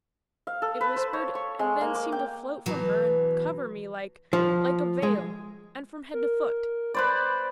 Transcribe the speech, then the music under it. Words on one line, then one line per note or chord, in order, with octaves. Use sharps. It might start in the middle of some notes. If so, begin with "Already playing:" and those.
It whispered and then seemed to float from her and cover me like--like a veil, and from head to foot.
F5
A4
B4
C5
C#5
C#6
G#3
A#3
D6
G5
E2 B2 E3 F#3
F3
G#3
A#4
B4 C5 D5 B5